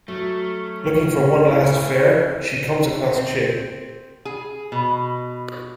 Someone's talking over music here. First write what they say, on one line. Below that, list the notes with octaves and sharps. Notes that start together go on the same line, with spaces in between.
Looking for one last fare, she comes across Chip.
F#3 A3 C#4
B3 E4 C5
C4
G#4
B2